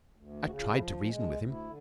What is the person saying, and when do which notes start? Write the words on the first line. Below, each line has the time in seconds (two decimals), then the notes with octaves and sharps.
I tried to reason with him.
0.16 D2
0.46 C#3 F#4
0.60 F4
0.75 F3 E4
0.90 D4
1.05 G#3 C#4
1.20 D4
1.35 D2
1.49 E4
1.64 D3